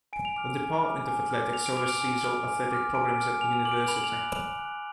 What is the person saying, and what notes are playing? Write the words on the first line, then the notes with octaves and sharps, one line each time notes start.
The Department of Athletics oversees all athletic programs at the University.
G#5 D7
F7
D6 F6 F7
G#5
D6 F6
G#5
D6 F6
G#5 F7
D7
D6 F6 F7
D7
G#5
D6 F6
G#5
D6 F6
G#5 D7
D6 F6
G#5 F7
F7
D6 F6 F#7
D7
F7
B5 F7
F#7
F7
F#6
B5 F7
F#6